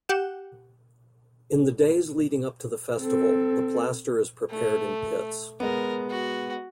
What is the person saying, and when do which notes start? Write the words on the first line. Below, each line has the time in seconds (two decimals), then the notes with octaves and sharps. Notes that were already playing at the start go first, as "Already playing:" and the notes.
In the days leading up to the festival, the plaster is prepared in pits.
0.09 G4 F#5 G6 E7
3.00 C4 A4
4.50 A3
5.60 G#3 B3 A#4
6.10 F#4